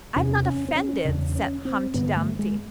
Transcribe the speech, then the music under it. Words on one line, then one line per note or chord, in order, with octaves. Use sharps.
'I'm not offended,' said Humpty Dumpty.
E2 C3 C#4
C#4
C4
C#4
E2 C#3 D4
C#4
C4
G2 D3 B3
A3
G#3